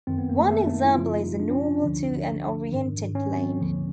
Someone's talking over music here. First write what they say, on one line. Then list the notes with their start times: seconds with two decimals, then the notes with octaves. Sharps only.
One example is the normal to an oriented plane.
0.07 F#2 D#3 C4
0.18 B3
0.29 A#3
0.40 A3
0.51 A3
0.62 A#3
0.73 D#4
0.84 E4
0.94 F#2 C#3 F3 F4
1.17 D#4
1.40 D4
1.51 C#4
1.63 D4
1.84 D2 D3 F3
2.72 G#2 D#3
3.15 C#4
3.38 C4
3.60 D2 D3 F3 A#3